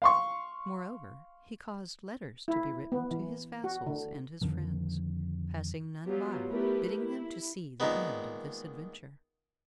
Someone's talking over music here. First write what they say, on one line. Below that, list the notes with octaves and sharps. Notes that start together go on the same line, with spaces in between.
Moreover he caused letters to be written to his vassals and his friends--passing none by--bidding them to see the end of this adventure.
F5 C6 C#6
E4
B3
E3
F#4
D3
F2 D3 D#3 F3
F#3 G3 B3 F4 G4
A3 B3 E4 G4 A#4 B4
E4
A#2 D#3 G#3 B3